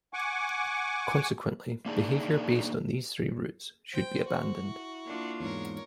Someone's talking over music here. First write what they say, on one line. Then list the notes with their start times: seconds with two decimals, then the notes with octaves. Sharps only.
Consequently, behaviour based on these three roots should be abandoned.
0.13 F#5 G#5 C#6 D6
1.86 A#3 D4 D#4 G#4 D5
3.94 C5 G5
4.28 F#4
4.65 E4
5.04 A#3 D4 F4
5.40 E2 G#2 A#4 C#5